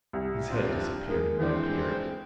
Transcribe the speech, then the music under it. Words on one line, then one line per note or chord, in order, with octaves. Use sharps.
His head disappeared and reappeared.
C2
C4 D4 F4
G#3 A#3
E3 G#3 C4 D4 C5